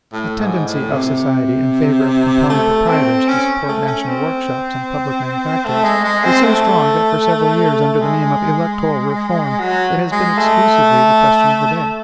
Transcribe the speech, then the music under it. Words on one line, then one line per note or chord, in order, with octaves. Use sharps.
The tendency of society in favor of compelling proprietors to support national workshops and public manufactories is so strong that for several years, under the name of ELECTORAL REFORM, it has been exclusively the question of the day.
A2
G#2
A2
C3
A3
C4
C#4
A3
C#4
C4
A3
G#3
G#3
C4
A3
G#3
F#3
G#3
A3